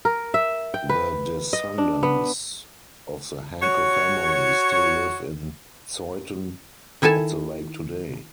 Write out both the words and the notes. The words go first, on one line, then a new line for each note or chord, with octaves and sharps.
The descendants of the Hankel family still live in Zeuthen at the lake today.
A#4
E5
G5
B4
D#5
D4
B3
F#4 C#5
D#3 E4 A4 G#5 A5